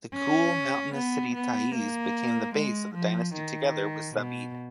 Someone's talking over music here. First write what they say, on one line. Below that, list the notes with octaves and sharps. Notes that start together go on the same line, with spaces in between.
The cool mountainous city Ta'izz became the base of the dynasty together with Zabid.
C#4
B3
B3
A#3
G#3
F3
D#3
B2